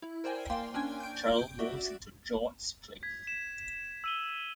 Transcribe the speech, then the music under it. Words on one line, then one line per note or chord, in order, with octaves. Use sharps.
Cheryl moves into George's place.
E4
A#4 C5 D5 G5 G#5
A#3 F5 G5 C6
C#4 D4 G5 G#5 G#6
G6 D7
F#4 D5 E5
G#6 B6
E7
E6 D#7 G7